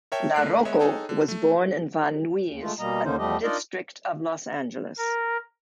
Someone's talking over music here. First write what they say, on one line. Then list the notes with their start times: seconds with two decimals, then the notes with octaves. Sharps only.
LaRocco was born in Van Nuys, a district of Los Angeles.
0.12 A#4 C#5 E5 G5 A5
0.34 D3 A3 A#4 F#6 C7 D7
0.65 G#3 B3 C#5 D#5 E5
0.79 D#4 G#4 A4 C#5 G5
1.09 D3
1.28 A3
2.49 D#2
2.62 G#3 A3 F4
2.79 B2 G3 A#3 D#5 A#5
3.04 D#2 D3 A#3 C#4 D#4 C5
3.18 E2 F3 G3 A3 G4 D#5
3.43 D4 D#4 F4 A#4 D5 D#5
4.97 A#4